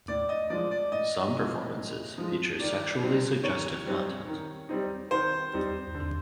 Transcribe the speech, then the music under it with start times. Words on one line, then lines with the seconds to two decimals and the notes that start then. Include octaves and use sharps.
Some performances feature sexually suggestive content.
0.08 A2 D5
0.29 D#5
0.50 F3 G#3 D5
0.71 D5
0.92 A2 D#5
1.34 F3 G#3
1.76 A2
2.18 F3 G#3
2.60 D#3 D5
3.01 G3 C4 D#4
3.44 D#3 C#5
3.85 G3 C4 D#4
4.27 D#3
4.69 G3 C4 D#4
5.11 D#3 C5
5.53 G3 C4 D#4
5.95 D3